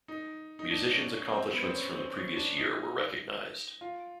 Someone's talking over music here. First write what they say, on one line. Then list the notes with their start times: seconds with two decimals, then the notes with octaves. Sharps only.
Musicians accomplishments from the previous year were recognized.
0.08 D#4
0.59 D#4
0.71 D4
0.91 C#4
1.12 C#4
1.33 C4
1.54 B3
1.64 C4
1.74 C#4
1.95 C4
2.16 C#4
2.37 D4
2.58 D#4
3.81 F4